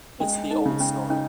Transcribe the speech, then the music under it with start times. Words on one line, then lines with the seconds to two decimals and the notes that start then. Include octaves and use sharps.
It's the old story.
0.20 G#3 C#4
0.51 D#4
0.65 C#3
0.80 C#4
1.10 C#4 D#4